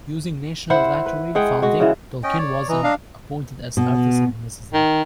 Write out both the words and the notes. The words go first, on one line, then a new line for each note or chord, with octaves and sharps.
Using National Lottery funding, Tolkien was appointed as artist in residence.
E4 C5 F#5
B4
G#3 G#4 F#5 G5
G#3 F#4
C#3 E3
C#4 D#5 G5
C#5 D5
E3 D#5 A#5
D4 F5
B2
D#3